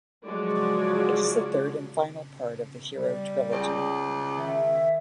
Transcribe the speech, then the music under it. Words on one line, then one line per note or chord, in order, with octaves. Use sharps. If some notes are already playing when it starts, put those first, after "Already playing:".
It is the third and final part of the "Hero Trilogy".
F3 F#3 G#3 F#4 C#5 D5
G3
C#2
D#3 E5